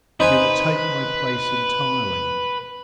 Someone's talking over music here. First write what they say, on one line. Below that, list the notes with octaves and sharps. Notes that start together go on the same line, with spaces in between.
You will take my place entirely.
D#4 B4 C5 G#5